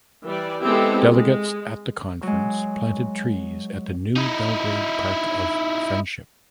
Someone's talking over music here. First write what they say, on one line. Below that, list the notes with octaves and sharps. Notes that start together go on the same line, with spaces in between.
Delegates at the conference planted trees at the New Belgrade Park of Friendship.
E3 G3 D5
G#3 B3 C4 E4 G4 A4
G#3
F#3 G#3
D#4 E4